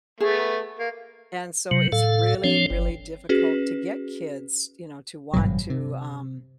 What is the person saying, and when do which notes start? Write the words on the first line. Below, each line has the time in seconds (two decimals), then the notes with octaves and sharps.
and so, it's really, really difficult to get kids, you know, to want to, um
0.20 A3 B3 G#4
0.79 A#3
1.71 C3 F#3
1.92 A2 A4 F5
2.44 F3 C4 D4 C#5
2.70 G1
3.29 C#4 F#4 G#4 B4
5.33 G#1 G2 B2 F#3
5.70 C3